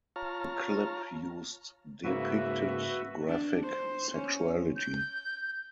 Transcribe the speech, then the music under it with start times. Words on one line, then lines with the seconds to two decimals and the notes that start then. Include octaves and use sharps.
The clip used depicted graphic sexuality.
0.16 F4 C#5 A5 A#5 F6
2.04 G#2 C#3 A#3 F#4 B4 E5
3.28 D4
3.63 C5
4.12 C#4
4.76 G6